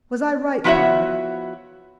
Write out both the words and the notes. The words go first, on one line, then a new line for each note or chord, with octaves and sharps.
Was I right, pater?
F3 B3 E4 F#4 C#5 E5